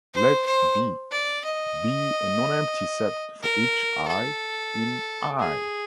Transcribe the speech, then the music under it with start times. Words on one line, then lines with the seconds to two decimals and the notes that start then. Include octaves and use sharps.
Let "B" be a non-empty set for each "i" in "I".
0.14 C5
0.46 C5
1.12 D5
1.45 D#5
3.43 A#4
4.08 A4
5.39 G#4